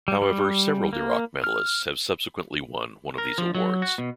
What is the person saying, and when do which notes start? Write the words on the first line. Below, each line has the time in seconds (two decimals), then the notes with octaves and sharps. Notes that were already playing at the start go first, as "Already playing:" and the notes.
However, several Dirac Medallists have subsequently won one of these awards.
0.08 G3
0.22 G3
0.93 A#3
1.44 F6
3.18 A#4
3.38 F3
3.55 F#3
3.82 F#4
3.98 B2